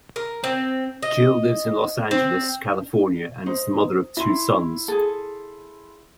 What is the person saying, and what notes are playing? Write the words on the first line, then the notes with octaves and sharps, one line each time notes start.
Gill lives in Los Angeles, California and is the mother of two sons.
A#4
C4
D#5
C4
D#4 C5
E4 C6
G#4 A4